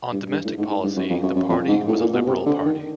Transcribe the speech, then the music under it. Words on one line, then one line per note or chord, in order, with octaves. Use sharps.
On domestic policy, the party was a liberal party.
G2
G2
A2
G#2
G#2
G2
F#2
F2
F#2
F#2
F2
G#2
A2
A#2
B2
C3
D3
D#3